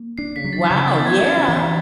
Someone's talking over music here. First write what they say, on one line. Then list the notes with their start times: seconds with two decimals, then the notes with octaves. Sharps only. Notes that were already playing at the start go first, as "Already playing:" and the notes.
Wow, yeah!
Already playing: A#3
0.18 D4 C7
0.36 B6
0.44 F#3
0.53 A6
0.70 C#3 G6
0.88 A6
0.96 B3
1.05 G#6
1.15 G6
1.22 C#4 G#6
1.48 E3